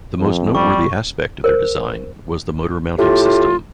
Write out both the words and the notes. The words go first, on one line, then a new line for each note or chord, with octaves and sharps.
The most noteworthy aspect of their design was the motor mounting system.
F2
G3 C#6
A#4 C5
A2 F4 G4
F4